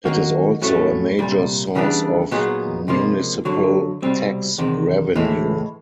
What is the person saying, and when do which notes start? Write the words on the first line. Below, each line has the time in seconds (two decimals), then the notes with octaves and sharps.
It is also a major source of municipal tax revenue.
0.05 D#3 F#3 A#3 D#4 F#4
0.62 A2 F#3 A3 C#4
1.19 C2 A#2 G3
1.75 C#3 E3 G3 B3 D4
2.31 A#2 F#3 B3 D#4 G#4
2.88 C#2 C3 F3 A#3
3.45 F2 D3 F#3
4.02 C2 B2 G3 C4
4.58 E2 C3 D#3
5.15 A2 E3 G#3